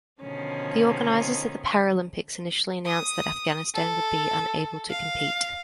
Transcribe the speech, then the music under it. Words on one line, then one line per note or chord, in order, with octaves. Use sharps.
The organizers of the Paralympics initially announced that Afghanistan would be unable to compete.
B2 D3 D#3 F3 C#4
D#6
A4
F5